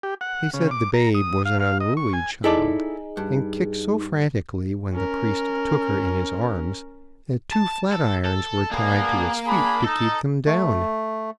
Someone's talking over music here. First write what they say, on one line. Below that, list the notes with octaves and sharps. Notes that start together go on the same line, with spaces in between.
He said the babe was an unruly child, and kicked so frantically when the priest took her in his arms that two flatirons were tied to its feet to keep them down.
G4
F#5
C#3
D6
A#5
D#6
F5
F5
D#5
C#6
G#5
D#4 E4 G#4 A4 D5
G2
C#4 A#4
A5
A4
A4
A#3 B3 D4 G#4
D4 G#4 B5
D#4 A4
A3